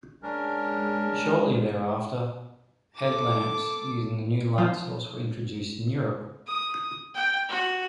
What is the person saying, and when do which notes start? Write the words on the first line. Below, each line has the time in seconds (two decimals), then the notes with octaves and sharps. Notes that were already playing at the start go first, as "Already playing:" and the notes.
Shortly thereafter, headlamps using the new light source were introduced in Europe.
0.23 G#3 C#4 D4 A#4
2.98 A4 D6
4.58 F3
6.47 D#6
7.15 G5
7.49 F#4